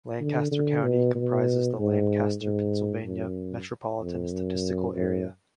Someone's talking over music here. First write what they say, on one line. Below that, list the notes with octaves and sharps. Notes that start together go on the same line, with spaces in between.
Lancaster County comprises the Lancaster, Pennsylvania Metropolitan Statistical Area.
D3
D3
B2
B2
G#2
G#2
F#2
F2
F#2
F#2